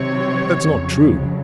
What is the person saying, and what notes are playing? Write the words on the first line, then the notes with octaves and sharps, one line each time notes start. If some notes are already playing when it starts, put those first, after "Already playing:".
That's not true.
Already playing: C3 D#3 F#3 C4 C#5
F2 C#3 F#3